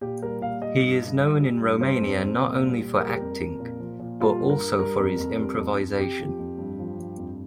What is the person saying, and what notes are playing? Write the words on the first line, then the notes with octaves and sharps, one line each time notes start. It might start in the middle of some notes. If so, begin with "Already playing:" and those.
He is known in Romania not only for acting, but also for his improvisation.
A#2 G4
G3 A#4
A#2 F5
G3 D#5
G2
G2
G2
G3
G2
G3 C5
F2
F2
A#2
G3
A#2
G3 A#4
G4
F2 A#4
F2
A#2
F3
A#2
G3 F4
G2
A#4
G2
G3 A#4
F2
F2
G3
F2
F2
F2 G4
F3
F2
G2
F3
G2
F2